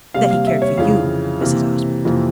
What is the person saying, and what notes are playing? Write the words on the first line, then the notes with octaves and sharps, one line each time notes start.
"That he cared for you, Mrs. Osmond."
C3 G3 A#3 F5
F5
E5
C#5
F2 C#3 E3 F5
C3 E3 A#3
F2 C3 E3 A#3